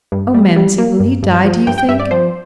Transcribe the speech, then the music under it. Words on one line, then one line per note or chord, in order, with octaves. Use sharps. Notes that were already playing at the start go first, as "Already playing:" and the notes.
"Oh, mamsie, will he die, do you think?"
G2
G3
G3
A#3
G2
G2
F3
G2 G5
G5
G2 E5
D5
F3 C5